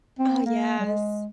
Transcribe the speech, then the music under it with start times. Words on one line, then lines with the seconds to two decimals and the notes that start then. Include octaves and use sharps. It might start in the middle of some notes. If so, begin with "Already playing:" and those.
Oh, yes.
0.19 C4
0.46 A#3
0.79 G3
0.85 G#3